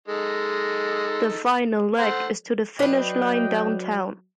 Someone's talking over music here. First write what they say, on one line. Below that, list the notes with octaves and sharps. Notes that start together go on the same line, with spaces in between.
The final leg is to the finish line downtown.
G#3 D#4 A4
A3 C5 F#5
F#3 D4 B4 D#5 G5